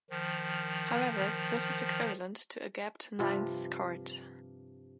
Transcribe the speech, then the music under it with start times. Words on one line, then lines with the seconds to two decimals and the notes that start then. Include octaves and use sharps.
However, this is equivalent to a gapped ninth chord.
0.10 D#3 F3
3.19 G2 C3 F3